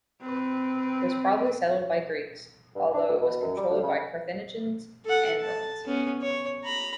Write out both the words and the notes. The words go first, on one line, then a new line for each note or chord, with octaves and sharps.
It was probably settled by Greeks, although it was controlled by Carthaginians and Romans.
C4 B4
G2
D4
D2
B2
F#2
G3
D2
C#3
A4 F#5
A5
B3 C#4
C#5
A#5 B5